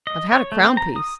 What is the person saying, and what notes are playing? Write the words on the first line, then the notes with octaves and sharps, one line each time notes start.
I've had a crown-piece.
D#5
C#5
A3
C4
A#5
D#6